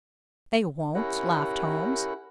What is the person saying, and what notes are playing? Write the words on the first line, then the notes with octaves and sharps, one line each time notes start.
"They won't," laughed Holmes.
C#4 E4 G4 A#4 F#5